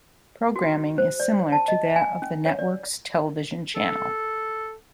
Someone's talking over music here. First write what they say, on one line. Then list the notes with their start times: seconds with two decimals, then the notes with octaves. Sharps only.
Programming is similar to that of the network's television channel.
0.56 F#4
0.98 C5
1.20 D5
1.52 A5
1.68 D#5
1.96 G#5
2.22 C#4
2.46 C#5
2.59 D5
3.76 A4